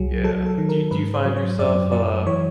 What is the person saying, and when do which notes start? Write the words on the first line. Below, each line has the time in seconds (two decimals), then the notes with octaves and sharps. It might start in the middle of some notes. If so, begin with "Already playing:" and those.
Yeah, do do you find yourself, uh,
Already playing: C2 F#3 G#4
0.24 F#3 A4
0.46 A4
0.58 D#3
0.69 A#4
0.91 G#2 B4
1.14 C5
1.25 F#3
1.37 C#5
1.59 F#2 D5
1.92 F#3 D5
2.26 E3 C#5